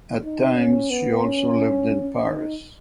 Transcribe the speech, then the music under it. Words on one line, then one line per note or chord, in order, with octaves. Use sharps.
At times she also lived in Paris.
D#4
C#4
B3
C#4
D#4